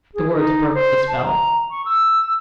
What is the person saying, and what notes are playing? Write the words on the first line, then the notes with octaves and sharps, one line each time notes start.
The words broke the spell.
G#4
D#4
C5
A5
A#5
C#6
E6